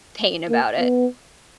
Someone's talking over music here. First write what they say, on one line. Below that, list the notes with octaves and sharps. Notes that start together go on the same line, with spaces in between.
pain about it.
A#3
B3